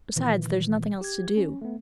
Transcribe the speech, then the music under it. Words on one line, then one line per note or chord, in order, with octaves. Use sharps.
Besides, there is nothing else to do.
A#2 D#3 E3
G4 G#6
C#4
A3 B3